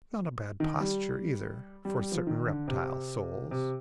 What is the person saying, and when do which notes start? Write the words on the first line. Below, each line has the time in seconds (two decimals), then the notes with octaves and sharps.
Not a bad posture, either, for certain reptile souls.
0.60 D#3
0.80 G3
1.85 G3
1.99 G3
2.12 F3
2.27 D#3
2.47 D3
2.68 C3
3.51 C3